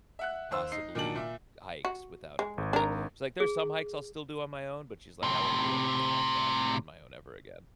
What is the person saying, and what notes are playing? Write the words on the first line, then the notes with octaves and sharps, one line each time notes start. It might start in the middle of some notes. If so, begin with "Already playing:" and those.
possibly hikes without a par like she's like, "There's some hikes I'll still do on my own, but she's, like, I won't do anything like that on my own ever again."
E5 F#5 F#6
D#2 C5 E6
D#4 C7
A#2 D#3 F#3 D4 F#7
A#2 E5
F#4
G#3
G#1
D4 A#4
G#4
A2 C3